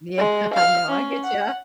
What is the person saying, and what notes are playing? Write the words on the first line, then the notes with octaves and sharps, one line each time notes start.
Yeah, no, I get ya,
G#3
F5 F6
C#4
F#5